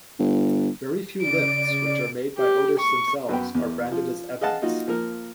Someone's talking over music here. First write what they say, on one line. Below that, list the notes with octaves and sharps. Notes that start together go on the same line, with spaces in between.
Very few lifts which are made by Otis themselves are branded as Evans.
G1
C#3 D5 D7
G4
C#6
F#2 B3 G5
E2
F3 F4
G#4 D#5 F5 F#5 A5
A#3 D#4 F4 F#4
F3 A#3 A#4